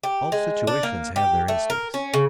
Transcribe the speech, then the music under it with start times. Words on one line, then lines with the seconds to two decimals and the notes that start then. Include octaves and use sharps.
All situations have their instincts.
0.03 G4
0.32 G#3
0.67 D4
0.83 A#3
1.16 G4
1.48 A3
1.70 A#4
1.94 C#4
2.14 C#3